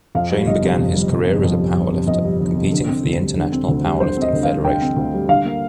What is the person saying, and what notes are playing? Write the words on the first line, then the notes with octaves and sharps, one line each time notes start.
Shane began his career as a powerlifter, competing for the International Powerlifting Federation.
F2 F5
G3
G1 D#5
C3
F2
G3
G1
C3
F2
G3
G1
C3
F2 D#5
G3
G1
C3
D3
C4
D2
G3
D3
C4
D2
G3
D3 C5
C4 D#5
D2
F5
G3
D3 G5
C4
D2
G3
D3 F5
A#3